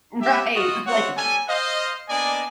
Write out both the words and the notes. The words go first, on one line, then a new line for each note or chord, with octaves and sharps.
Right, like
G4 E5
F4 F#4 D#5
G3 C4 F#4 C#5 F#5
G3 C#4 A4 G#5
C5 D#5 F5
A#3 B3 D4 D5 D#5 G#5